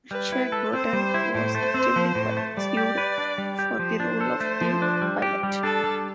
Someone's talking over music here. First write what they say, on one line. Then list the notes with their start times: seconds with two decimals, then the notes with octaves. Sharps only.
Richard Burton was actively pursued for the role of The Pilot.
0.11 G3 B4
0.32 E4
0.52 A4
0.73 C4 C5
0.93 G3
1.14 E4
1.34 A2 C5
1.55 A3
1.74 C4
1.96 F3
2.15 A2
2.37 A3
2.57 G3 D5
2.77 G4
2.98 B4
3.18 D4
3.38 G3
3.59 G4
3.79 F3 C5
4.00 D4
4.21 A4
4.40 A3
4.61 F3
4.82 D4
5.02 G3
5.22 G4
5.43 G3
5.63 D4 A4
5.84 G3